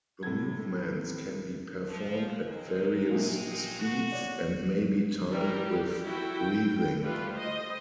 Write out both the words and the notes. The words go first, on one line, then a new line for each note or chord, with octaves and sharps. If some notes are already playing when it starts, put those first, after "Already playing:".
The movements can be performed at various speeds and may be timed with breathing.
A2 C3 A4 G#6
F3
G#3 C4 D#4
A#1 A#2
F#4
C#5 D5
E3 G3 A#4
G4
E4 F#4 G5
G5
G3 A3 F4 B4
C5 D#5